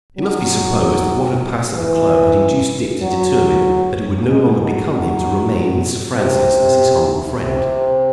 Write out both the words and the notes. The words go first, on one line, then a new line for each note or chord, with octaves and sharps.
It must be supposed that what had passed at the club had induced Dick to determine that it would no longer become him to remain with Sir Francis as his humble friend.
F#3
E3
F#3
G#3
F#3
F#3
C3
C3